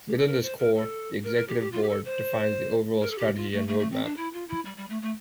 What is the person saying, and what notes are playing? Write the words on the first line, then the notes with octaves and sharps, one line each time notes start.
Within this core, the Executive Board defines the overall strategy and roadmap.
G4
A4
A#4
C5
A#4
A4
A#4
A#4
G4
G4
F4
G4
A4
C5
A#4
A4
G4
F4
A3
A3
A3
C4
D4
E4
F4
E4
G3
G3
A3
A3